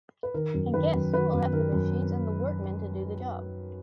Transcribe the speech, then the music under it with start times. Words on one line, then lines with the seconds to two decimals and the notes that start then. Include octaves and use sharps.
And guess who will have the machines and the workmen to do the job?
0.23 B4
0.34 D#3 A#4
0.54 F#2
0.73 D#3 B4
0.94 F#2
1.13 D#3 B4
1.34 F#2
1.53 D#3 A#4
1.73 F#2